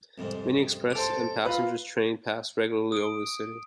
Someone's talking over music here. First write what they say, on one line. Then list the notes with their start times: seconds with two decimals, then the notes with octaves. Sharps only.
Many express and passengers trains pass regularly over the city.
0.18 C2 F2 G#2
0.95 A4 C5
1.45 F4 B4 A#5
2.92 D#6 D7